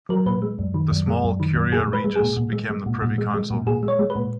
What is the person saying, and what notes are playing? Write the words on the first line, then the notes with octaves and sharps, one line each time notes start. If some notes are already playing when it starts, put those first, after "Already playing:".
The small "curia regis" became the Privy Council.
F#3 A#4
A#2 B4
G#3
F#2
D#3
F#2
G#3
F#2
D#3
F#2
A#2 G#4
G#3
B4
G#3
A#2 G#4
A#2
G#3
G#3
A#2
A#2
G#3
G#3
A#2
A#2 G#4
G#3
C#5
G#3
B4
A#2